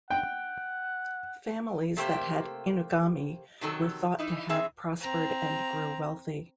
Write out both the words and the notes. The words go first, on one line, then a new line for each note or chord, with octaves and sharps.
Families that had inugami were thought to have prospered and grew wealthy.
F#5 G5
C3 A3 A#3 G4 C5
C3 D#3 F#3 A4
E3 D#4 E4
E3 C4 G#4 E5
C4 A#5